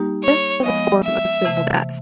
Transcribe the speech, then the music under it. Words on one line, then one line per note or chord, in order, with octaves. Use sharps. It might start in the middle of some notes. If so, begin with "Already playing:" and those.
This was a form of civil death.
Already playing: G3 A#3 D#4 G4
C#5
F3 G#3 B3 D#5
E5
C3 E3 A3